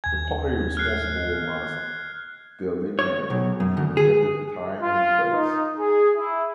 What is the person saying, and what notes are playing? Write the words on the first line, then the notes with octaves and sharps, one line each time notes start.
The party responsible must delineate the intended time and place.
D#2 G#5 G#6
F6 F#6 C7
C#5
B1
F#2
D2
G#4
F4
D#4
G#4
E4